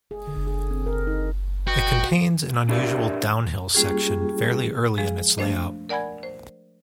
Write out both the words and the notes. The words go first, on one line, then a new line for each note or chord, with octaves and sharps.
It contains an unusual "downhill" section fairly early in its layout.
G#4
D3
G#4
C4
A#4
D#4
F#4 B4 D#5 G5
D4 E4 G4 A#4 D5
G3 A#3 C#4 F4 G4 G#4
F3 G#3 G#4
F3 A3 D4 C5 D#5
A#4 D5 F#5 G#5 B5 G#6
C5